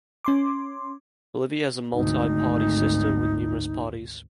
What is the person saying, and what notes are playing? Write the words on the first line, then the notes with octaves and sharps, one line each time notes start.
Bolivia has a multi-party system, with numerous parties.
C#4 C6 D6
G#1 D2 D#4